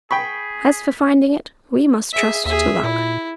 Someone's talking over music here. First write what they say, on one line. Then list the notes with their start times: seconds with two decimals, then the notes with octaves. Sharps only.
"As for finding it, we must trust to luck."
0.11 G#4 G5 B5 C#6 B6
2.13 G#4 E5
2.46 D#2 G#4 E5
2.83 A#2 E4